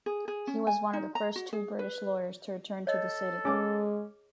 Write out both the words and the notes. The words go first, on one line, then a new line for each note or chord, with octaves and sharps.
He was one of first two British lawyers to return to the city.
G#4
G#4
C#4
G#5
D#4
A#5
F#4
G#4
B4
A4 C#5 D#5
G#3 C#4 G#4 D6